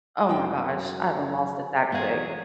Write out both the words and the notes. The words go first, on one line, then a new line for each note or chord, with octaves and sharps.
Oh my gosh, I done lost it that quick.
F#2 F#4 G5
E2 F#3 B3 G#4 F5